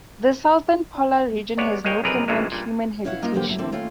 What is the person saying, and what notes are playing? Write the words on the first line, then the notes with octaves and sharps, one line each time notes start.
The southern polar region has no permanent human habitation.
G#3 B3 C#5 D5
G#3 A#3 G#4 C#5 G5
B1 F2 C3 G#4 A#4 B4
G2 A#2 C#3 E3 G#3
G2 A#2
B2 C#4 E4 C#5 F5 F#5
A#3 D#4 F4 A#4 D#5 E5
D3 F3 A#3 B3 G4
F#3 A3 E4
D3 A3 A#3 C4 A4
D#2 A3 C#4 F4 F5 G5